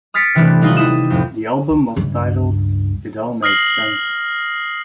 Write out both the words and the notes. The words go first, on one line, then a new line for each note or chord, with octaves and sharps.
The album was titled "It All Makes Sense".
D#6 F6 A6 B6 C#7 D7
C3 E3 A3 B3 C4 D4
D#1 G3 D#4 F4 F#5 D#6
G3 E4 D#6 E7
F2 A2
C#2 G2
D#6 F6 A#6 C7 F#7